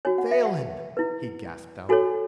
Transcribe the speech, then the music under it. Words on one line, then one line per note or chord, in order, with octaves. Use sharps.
"Phelan!" he gasped out.
F#4 C#5 G#5
F#5
E5
F#5
E4 B4
F#4 A4 C#5 G#5